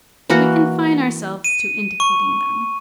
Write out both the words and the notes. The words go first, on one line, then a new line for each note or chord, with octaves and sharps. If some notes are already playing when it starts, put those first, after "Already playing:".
We confine ourselves to indicating them.
E3 A#3 F#4 F#5
D#7
C#6